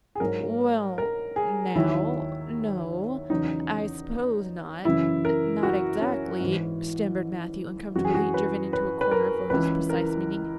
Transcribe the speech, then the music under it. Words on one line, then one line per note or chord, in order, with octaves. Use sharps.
"Well, now, no, I suppose not--not exactly," stammered Matthew, uncomfortably driven into a corner for his precise meaning.
G#4
G#2 F#3 A#4
A#4
G#4
D#2 D#3 F#3 E4
E2 C#3 F#3 D#4
F#2 C#3 E3 E4
A#4
F#4
C#4
G#2 E3
F#2 E3 F#4
G#4
F#4
B4
B4
B4
A#4
C#2 C#3 E3 B4
A#4